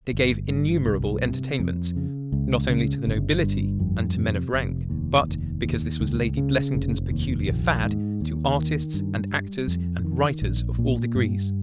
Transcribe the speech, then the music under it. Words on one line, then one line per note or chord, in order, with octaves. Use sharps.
They gave innumerable entertainments, not only to the nobility and to men of rank, but--because this was Lady Blessington's peculiar fad--to artists and actors and writers of all degrees.
G1
G2
C2
C3
F2
C#3
C#2
C#3
G1
G2
F2
C3
F1
D#2
F1
D#2
C#2
C#3
F1
D#2
A#1
G#2
D#2
D#3
G2
G3
F2
D#3
A#1
A#2
G2